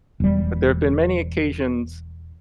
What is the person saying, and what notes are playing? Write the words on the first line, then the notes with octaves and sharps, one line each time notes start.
but there have been many occasions
E1 G3